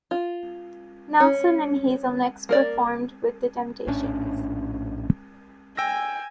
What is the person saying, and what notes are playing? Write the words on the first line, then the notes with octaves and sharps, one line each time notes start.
Nelson and Hazel next performed with The Temptations.
F4
C#4
A#3 A#4 D5
A#1 A2 C#4 D4
G5 G#5 E6 A#6